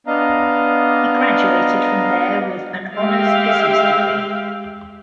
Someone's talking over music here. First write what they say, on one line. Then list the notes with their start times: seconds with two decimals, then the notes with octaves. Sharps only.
He graduated from there with an Honours Business Degree.
0.07 B3 D4 D#5 F5 A#5
2.96 G#3 G4 E5 F5 G5